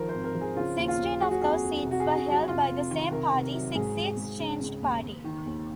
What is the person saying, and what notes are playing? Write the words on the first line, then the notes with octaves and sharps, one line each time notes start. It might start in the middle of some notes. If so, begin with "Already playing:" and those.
Sixteen of those seats were held by the same party, six seats changed party.
Already playing: D#3 F3 A#4
C5
G#1
A#4
F3
G#4
C#3 F4
D#2
F4
D#2
F#3 G#4
F#4
F2 G#4
F2
C2
F#4
G#4
C2
F#4
F#3
F#4
F1 F4
F2
D#3
C2 A#4
C3
F#3
G#2 G#4
G#2
G#2
C#3
C#3
D#2
D#2
D#3
D#2